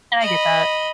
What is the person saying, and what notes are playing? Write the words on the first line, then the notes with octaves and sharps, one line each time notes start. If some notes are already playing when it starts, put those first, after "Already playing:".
and I get that
D#5 B5